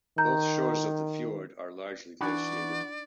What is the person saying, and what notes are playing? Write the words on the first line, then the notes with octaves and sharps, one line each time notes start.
Both shores of the fjord are largely glaciated.
D#3 A#5 G6
E3 D4 D#4 F#4 D5 B5